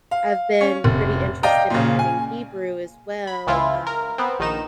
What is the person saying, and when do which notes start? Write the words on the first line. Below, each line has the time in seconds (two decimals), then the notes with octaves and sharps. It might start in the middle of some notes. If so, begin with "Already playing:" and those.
I've been pretty interested in learning Hebrew as well, um
0.11 F5
0.61 C#4
0.84 F1
1.43 D5 D#5 F5 G5 A#5
1.70 A#2 C#3
1.99 G#5
3.27 B5
3.47 C#2 E3 E4 F4
3.87 A#4
4.18 B3 C4
4.39 A#1 D#3 D#4 E7